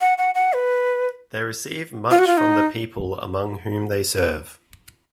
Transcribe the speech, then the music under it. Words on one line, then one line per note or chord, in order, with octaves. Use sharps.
They receive much from the people among whom they serve.
F#5
F#5
F#5
B4
F4
F#4
F4
D#4